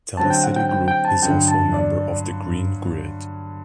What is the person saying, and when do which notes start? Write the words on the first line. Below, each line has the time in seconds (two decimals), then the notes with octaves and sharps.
TelecityGroup is also a member of The Green Grid.
0.17 D3 F#3 C4 A5
0.30 G5
0.44 F#5
0.56 G5
0.69 G5
0.88 G5
1.05 A5
1.22 G2 D3 F#3 G5
1.48 A5
1.74 D5